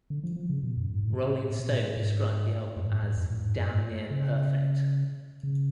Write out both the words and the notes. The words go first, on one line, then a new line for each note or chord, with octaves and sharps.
Rolling Stone described the album as 'damn near perfect.
D3
F3
F3
C#3
B2
F#2
G#2
A2
B2
A2
G#2
F#2
A2
G#2
G#2
F2
A2
G#2
F#2
G#2
C#3
C#3